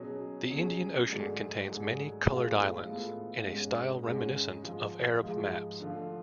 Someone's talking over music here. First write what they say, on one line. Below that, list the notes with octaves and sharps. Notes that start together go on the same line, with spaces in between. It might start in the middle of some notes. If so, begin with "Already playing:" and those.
The Indian Ocean contains many colored islands, in a style reminiscent of Arab maps.
Already playing: B2 F#3 C#4 G#4
B2 F#3 C#4 G#4
G#2 F#3 A3 D4 G#4
G#2 F#3 A3 D4 G#4
A2 G#3 B3 F4 A4
A2 G#3 B3 F4 A4
G#2 G#3 C#4
G#2 G#3 C#4
G#2 F3 G#3
G#2 F3 G#3
D3 F3 A3 F4